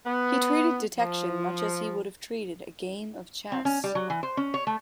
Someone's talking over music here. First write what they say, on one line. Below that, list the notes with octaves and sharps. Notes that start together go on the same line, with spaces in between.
He treated detection much as he would have treated a game of chess.
B3
F3
C4
C#4
G3
F#3
E3
C5
C#4
C#5
A3